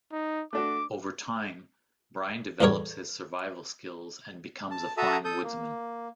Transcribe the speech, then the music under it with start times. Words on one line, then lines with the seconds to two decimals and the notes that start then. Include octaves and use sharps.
Over time, Brian develops his survival skills and becomes a fine woodsman.
0.12 D#4
0.53 A3 D4 F#4 D6
2.61 E2 A2 G3 A#4 C#5
4.71 A5
4.97 F#4 A4 E5 A5 A#5 D#6
5.25 A4 D#6 G6
5.43 A#3